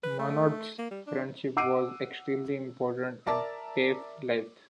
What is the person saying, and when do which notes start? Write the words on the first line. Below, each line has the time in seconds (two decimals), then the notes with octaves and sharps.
Monnot's friendship was extremely important in Piaf's life.
0.03 B4
0.19 A3
0.79 A#3
0.91 G3
1.07 D4
1.57 F#5 D6 E6 C7 D7 D#7
3.27 A#4 D5 E5 A5 A#5 D6